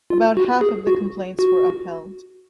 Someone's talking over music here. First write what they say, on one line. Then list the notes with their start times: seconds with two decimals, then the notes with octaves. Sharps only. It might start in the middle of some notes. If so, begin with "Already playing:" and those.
About half of the complaints were upheld.
0.10 F4
0.37 F#4
0.61 G#4
0.87 F#4
1.39 F#4